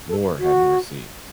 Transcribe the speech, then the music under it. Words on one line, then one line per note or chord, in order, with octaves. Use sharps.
Lord, have mercy.
A4
F#4